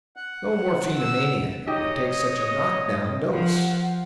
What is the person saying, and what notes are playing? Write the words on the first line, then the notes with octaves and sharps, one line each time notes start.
No morphinomaniac would take such a knock-down dose.
F#5
E6
D#4 G4 C#5 D#5 D#6
F3 F#5